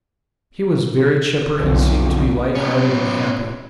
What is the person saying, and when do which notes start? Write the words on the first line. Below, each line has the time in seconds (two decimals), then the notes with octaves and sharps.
He was very chipper, and seemed to be light-hearted and happy.
1.60 B1 F2 D3
2.55 B3 C#4